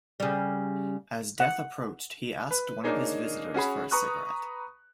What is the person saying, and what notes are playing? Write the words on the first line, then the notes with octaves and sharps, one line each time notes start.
As death approached he asked one of his visitors for a cigarette.
C#3 G3
F#5
B4
A#3 D4 D#4 G#4 C#5
C#4 F#4 G#4 B5
B4 A#5 C#6 D#6 F#6